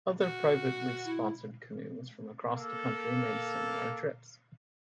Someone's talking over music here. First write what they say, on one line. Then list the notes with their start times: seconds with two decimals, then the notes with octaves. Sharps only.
Other privately sponsored canoes from across the country made similar trips.
0.21 F#4
1.04 E4
2.54 A#3 A4